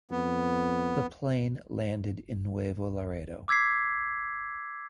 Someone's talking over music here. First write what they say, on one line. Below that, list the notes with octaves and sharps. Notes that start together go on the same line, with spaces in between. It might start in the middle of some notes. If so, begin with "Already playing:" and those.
The plane landed in Nuevo Laredo.
F2 B3
D6 E6 G#6 B6 C7